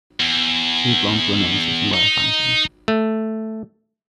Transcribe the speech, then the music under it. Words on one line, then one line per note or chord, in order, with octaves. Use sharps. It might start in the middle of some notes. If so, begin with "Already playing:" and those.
Two blond women are sitting by a fountain.
E2
D#4
A3